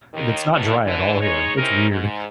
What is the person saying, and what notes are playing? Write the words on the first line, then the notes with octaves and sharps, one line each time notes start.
Th it's not dry at all here, it's weird
D#2 D#3
B2 D#3 E3 F#3 A3
D3 E3
G#3 D#4 C#5
C4 C#4 D#4 E4 G4 A#4
G#2